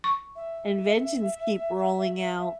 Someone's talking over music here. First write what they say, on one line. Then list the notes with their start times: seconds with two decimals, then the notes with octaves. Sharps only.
inventions keep rolling out.
0.04 C#6
0.36 E5